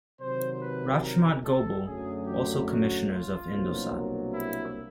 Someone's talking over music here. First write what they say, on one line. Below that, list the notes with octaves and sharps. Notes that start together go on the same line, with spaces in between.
Rachmat Gobel also Commissioners of Indosat.
C3 D#3 F#3 C5
B4
A#4
A4
F#2 D3 F#3 A3 G#4
G4
F#4
F4
C2 B2 F#3 A#3 D4
E4